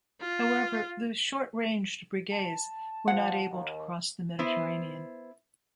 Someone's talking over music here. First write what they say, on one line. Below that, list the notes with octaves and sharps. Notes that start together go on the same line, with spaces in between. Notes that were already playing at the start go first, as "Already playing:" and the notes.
However, the short-ranged Breguets were not able to cross the Mediterranean.
F4
A5
F3 F4 F#5
D#2
B3 E4 C5